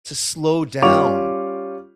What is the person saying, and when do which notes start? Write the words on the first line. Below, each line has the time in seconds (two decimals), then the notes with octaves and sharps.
to slow down
0.82 G3 C#4 F4 C#6 D6 F7